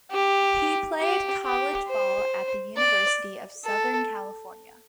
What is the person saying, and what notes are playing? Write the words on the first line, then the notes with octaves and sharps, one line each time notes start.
He played college ball at the University of Southern California.
G4
G4
G4
C5
D5
A4